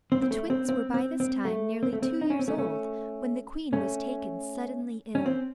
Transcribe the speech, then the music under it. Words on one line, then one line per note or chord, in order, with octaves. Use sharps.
The twins were by this time nearly two years old, when the queen was taken suddenly ill.
C4
C4
A3
C4
C4
C4
C4
A3
C4
A3
C4
D#4
C#4
C4
A3 C#4
A3 C#4
A3 C#4
C#4
C4